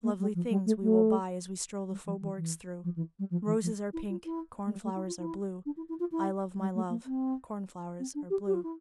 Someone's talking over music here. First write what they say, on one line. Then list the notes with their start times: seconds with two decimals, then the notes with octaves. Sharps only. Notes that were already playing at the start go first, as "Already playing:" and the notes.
"Lovely things we will buy As we stroll the faubourgs through, Roses are pink, corn-flowers are blue, I love my love, corn-flowers are blue."
0.03 A#3
0.19 G3
0.34 F3
0.50 G3
0.66 A3
0.82 A3
1.91 G3
2.05 F3
2.21 E3
2.37 E3
2.84 F3
2.96 E3
3.19 G3
3.30 F3
3.46 E3
3.62 F3
3.93 E4
4.10 F4
4.25 E4
4.66 A3
4.72 G3
4.83 A3
4.95 E4
5.06 F4
5.19 E4
5.66 D4
5.77 E4
5.89 E4
6.00 F4
6.12 E4
6.59 G3
6.75 A3
6.89 A#3
7.05 C4
7.99 C4
8.15 D4
8.30 G4
8.47 G4
8.54 F4
8.63 E4